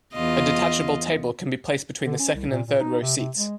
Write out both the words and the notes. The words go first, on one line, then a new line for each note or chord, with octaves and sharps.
A detachable table can be placed between the second and third row seats.
E2 F4 D#5
D3
C#4
C2
A#2
A#2
D#4
C3
C3
G#3